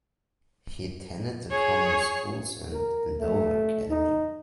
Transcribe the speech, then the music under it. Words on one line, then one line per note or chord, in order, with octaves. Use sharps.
He attended the common schools and Andover Academy.
G#4 C#5
A#4
A3
D#4